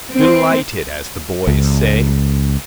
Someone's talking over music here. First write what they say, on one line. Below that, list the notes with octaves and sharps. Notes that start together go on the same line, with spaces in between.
Delighted, as the boys say.
C4
C#2